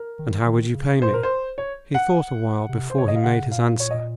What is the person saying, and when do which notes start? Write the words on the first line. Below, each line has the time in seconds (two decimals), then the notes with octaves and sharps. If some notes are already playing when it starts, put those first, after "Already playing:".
"And how would you pay me?" He thought a while before he made his answer.
Already playing: A#4
0.19 D#3
0.47 D#3
0.74 C#3
1.02 A#2 C5
1.14 A#4
1.23 C5
1.58 C#5
1.95 F#5
2.69 C3
2.90 C5
2.96 C#3 C#5
3.08 D#5
3.16 F5
3.24 C#3 F#5
3.47 C3
3.52 A#2 F5
3.80 C#5
3.91 D#5